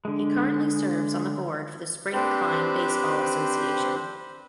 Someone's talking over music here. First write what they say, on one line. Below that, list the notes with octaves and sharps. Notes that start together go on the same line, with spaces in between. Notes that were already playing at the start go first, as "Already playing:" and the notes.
He currently serves on the board for the Spring Klein Baseball Association.
D3 G#3
C4 D4 G4 B4 C5